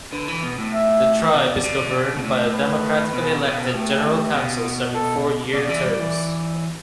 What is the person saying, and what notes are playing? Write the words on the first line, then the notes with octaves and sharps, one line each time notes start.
The tribe is governed by a democratically elected general council, serving four-year terms.
D3 B4
E3
B2
A2
E5
B2 D5
D3
B2
B2
A2
B4
B2
B2
A2 G4
B2
A4
B2 D5
E3
G3
E3